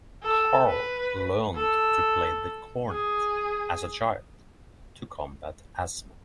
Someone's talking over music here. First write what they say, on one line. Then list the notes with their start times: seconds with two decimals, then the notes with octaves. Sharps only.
Carl learned to play the cornet, as a child, to combat asthma.
0.23 A4
0.67 B4
1.55 A4
2.89 G#4